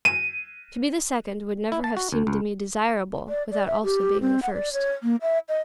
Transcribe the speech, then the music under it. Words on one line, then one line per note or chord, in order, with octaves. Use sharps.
To be the second would never have seemed to me desirable, without also being the first.
D#7
E4
A5
F#4
D2
C#2
D5
D5
E5
G4
C4
F#5
D5
C#5
A#3
E5
D#5